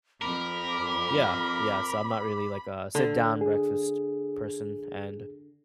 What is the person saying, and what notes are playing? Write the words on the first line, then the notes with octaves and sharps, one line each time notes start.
Yeah, yeah, so I'm not really, like, a sit-down breakfast person, and
F2 A#4 B5 D6
D3
G#4